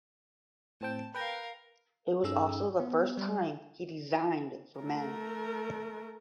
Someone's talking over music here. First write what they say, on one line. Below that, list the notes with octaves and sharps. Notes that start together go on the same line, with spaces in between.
It was also the first time he designed for men.
A2 C4 G5 A5
A#4 B4 F5 G5
G2 C#4 D#4 G#4 A4 E6
B3
G3
A3 A#4